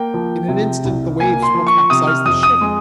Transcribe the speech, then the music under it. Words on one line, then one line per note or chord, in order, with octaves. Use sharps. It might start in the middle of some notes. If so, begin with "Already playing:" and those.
In an instant the waves will capsize the ship!
Already playing: A#3 G5
F3
C3
C2
A#3 G#5
C6
F3
C#6
C3 D#6
F6
F2 D#6
D#6
G#3